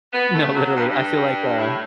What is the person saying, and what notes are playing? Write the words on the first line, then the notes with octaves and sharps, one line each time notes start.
No, literally. I feel like, uh
B3
A3
F#3
G2
G2
A2